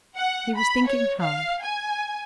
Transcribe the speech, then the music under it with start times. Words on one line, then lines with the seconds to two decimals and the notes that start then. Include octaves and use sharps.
He was thinking hard.
0.16 F#5
0.57 B5
0.87 C#5
1.20 F5
1.63 G#5